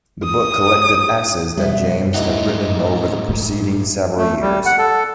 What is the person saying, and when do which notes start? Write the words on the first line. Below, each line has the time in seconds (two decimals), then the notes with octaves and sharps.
The book collected essays that James had written over the preceding several years.
0.24 D#6
1.58 F#2 B2 G3 E5
2.14 D#2 A2 E3 D#4 D#5 F#5
4.17 A3
4.41 G3
4.66 F#5
4.79 A4